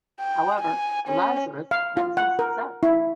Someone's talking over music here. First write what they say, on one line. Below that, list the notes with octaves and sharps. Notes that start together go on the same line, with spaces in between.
However, the Lazarists met some success.
G5
G#5
C#4
F5
F4
F#5
A#4
E4